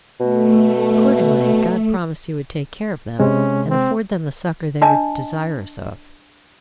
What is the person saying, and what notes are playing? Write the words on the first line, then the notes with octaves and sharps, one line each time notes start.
Accordingly God promised he would take care of them, and afford them the succor they were desirous of.
B2 A3
C3 G#3 C#4
C4
D4 D#5 A5